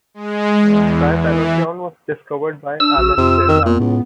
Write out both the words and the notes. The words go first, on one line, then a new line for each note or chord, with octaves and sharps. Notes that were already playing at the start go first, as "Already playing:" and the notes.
Trypanothione was discovered by Alan Fairlamb.
G#3
E2
E3
D4 E6
A#1 F#4
F2 C3 F4
D#3
A#2 B3
C#2 A2